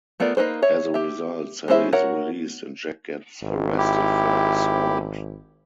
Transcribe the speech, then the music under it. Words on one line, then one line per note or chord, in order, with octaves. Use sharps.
As a result, Sally is released and Jack gets arrested for assault.
A3 B3 F4 A#4 D5
A#3 D#4 B4 C5
C#5 E5
G4 E5
G#3 C#4 E4 C5 E5
F#4 A#4 C#5 E5 F#5
G#1
E4 G4